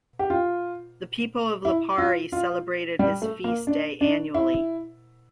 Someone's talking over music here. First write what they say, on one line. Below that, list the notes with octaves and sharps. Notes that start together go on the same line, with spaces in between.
The people of Lipari celebrated his feast day annually.
G4
F4
E4
F4
F4
G3
A3
A#3
D4
D4
E4